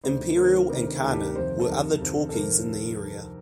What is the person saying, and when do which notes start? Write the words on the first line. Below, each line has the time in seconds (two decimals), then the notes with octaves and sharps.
"Imperial" and "Khanna" were other talkies in the area.
0.04 D2 C3 D#3 C5
0.36 D2 C3 D#3 A#4
0.69 D2 C3 D#3 A#4
1.02 D2 C3 D#3 A4
1.13 G4
1.25 A#4
1.35 F2 C3 D#3 C5
1.60 A4
1.68 F2 C3 D#3 A#4
2.01 F2 C3 D#3
2.29 A4
2.34 F2 C3 D#3 A#4